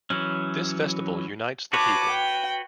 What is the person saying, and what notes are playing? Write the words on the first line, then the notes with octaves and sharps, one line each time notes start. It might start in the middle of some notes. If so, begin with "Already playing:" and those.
This festival unites the people.
E3 F#3 C#4
F#4 B4 C#5 A5 D6
G5